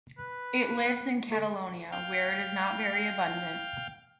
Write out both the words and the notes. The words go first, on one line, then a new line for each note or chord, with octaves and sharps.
It lives in Catalonia, where it is not very abundant.
B4
A4
F5 G5